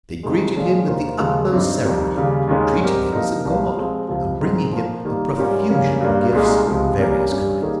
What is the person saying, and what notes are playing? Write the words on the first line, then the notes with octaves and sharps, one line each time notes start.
They greeted him with the utmost ceremony, treating him as a god and bringing him a profusion of gifts of various kinds.
F2 C3 D#3 G#3
A#2 F3 G#3 C#4
D#2 D#3 A#3 F4 C5
D#2 C#3 F3 G#3
G2 G3 C4 D#4 G4
F2 D#3 G3
D#2 C#3 G3
D#2 D#3 G#3 C#4
G#2 G3 C4 G4 A#4
C3 F3 A#3 D#4 A#4
C2 A#2 F3
F3 G#3 C4
C#2 C3 F3
G#2 D#3 G#3 C4 D#4
F3 A#3 F4
D#3 G3 A#3
G#2 G3 C#4 F4 A#4
C#3 G3 A#3 C#4
G2 G3 A#3
C2 A#2 G#3 D#4 G#4
C#2 C3 F3 G#3
C2 C3 G3 A#3 C#4
G2 G3 C#4 G4
D#3 G3 A#3 D#4 G#4